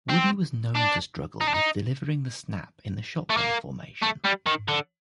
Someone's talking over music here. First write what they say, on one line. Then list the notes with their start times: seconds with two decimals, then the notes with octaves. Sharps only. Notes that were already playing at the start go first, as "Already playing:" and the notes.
Woody was known to struggle with delivering the snap in the shotgun formation.
0.09 C4
0.75 D4
1.41 D#4
1.47 D4
1.54 D#4
3.30 A3
3.37 A#3
4.03 A3
4.25 G3
4.47 D#3
4.68 D3